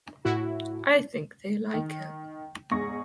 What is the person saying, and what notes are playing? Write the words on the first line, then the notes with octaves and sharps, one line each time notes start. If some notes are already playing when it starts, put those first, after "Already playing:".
I think they like it.
A2 E4 F#4
D#3
E2 G#2 G#4 C#6 A#6